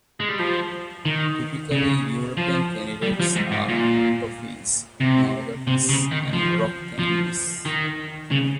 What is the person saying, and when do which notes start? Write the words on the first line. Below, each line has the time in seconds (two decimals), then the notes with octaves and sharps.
Typically, European candies are toffies, nougats and rock candies.
0.20 G#3
0.29 G3
0.39 F3
1.05 D#3
1.71 C#3
2.37 F3
3.02 G3
3.20 F3
3.36 G#2
3.52 G#2
3.69 A#2
5.00 C3
5.67 C3
5.89 C#3
6.11 D#3
6.33 F3
6.99 F3
7.65 D#3
8.31 C#3